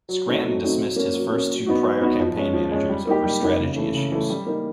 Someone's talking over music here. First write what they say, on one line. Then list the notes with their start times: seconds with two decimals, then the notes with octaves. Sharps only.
Scranton dismissed his first two prior campaign managers over strategy issues.
0.09 F#3
0.27 A3 C4 D#4 F#4
0.43 F#3
0.62 A3 C4 D#4 F#4
0.79 F#3
0.96 A#3 C#4
1.14 F#3
1.32 A#3 C#4
1.49 F#3
1.66 B3 D#4 F#4
1.83 F#3
2.01 B3 D#4 F#4
2.20 F3
2.36 G#3 C#4
2.54 F3
2.71 G#3 C#4
2.89 G3
3.07 A#3 D#4 G4
3.24 G3
3.42 A#3 D#4 G4
3.59 C#3
3.76 E3 A3
3.95 C#3
4.12 E3 A3
4.30 G3
4.47 A#3 D#4